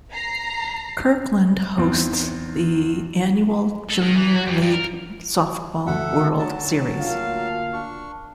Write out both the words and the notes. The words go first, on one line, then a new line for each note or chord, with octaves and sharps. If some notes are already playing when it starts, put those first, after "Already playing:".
Kirkland hosts the annual Junior League Softball World Series.
A#5 C7
E2 C4 D#4
A4
D#3
E3
F#4
F2
G2
A#4
D2 A4 E5 F#5
F#3 A5
A#3 F4 F5
D4 C#6